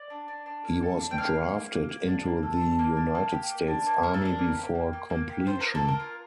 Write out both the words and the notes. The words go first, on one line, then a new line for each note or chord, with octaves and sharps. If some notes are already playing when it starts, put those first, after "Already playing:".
He was drafted into the United States Army before completion.
Already playing: D5
D4
D4
D4
A#3
A4
D4
G5
A#3 F5
A#3
A#3
A#3
A#3
D4
A#3
A4
D4
A#3
D4
A#3
G4
A#3
D4
A#3
A#3 A#4
A4
D4 A#4
A#3
G4
A#3
A#3
A#3
G4
F4 C5
A#3 A#4
A4
A#3
A#4
F4